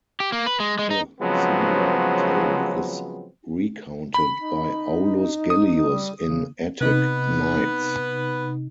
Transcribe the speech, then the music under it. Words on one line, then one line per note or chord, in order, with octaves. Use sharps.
A similar tale is recounted by Aulus Gellius in "Attic Nights".
G4
A#3
B4
G#3
G#3
D#4
C#3 F3 F#3 G#3 B3 C4
B5
D#4
D#6
G3
C#3
C3 B3 D#4 B4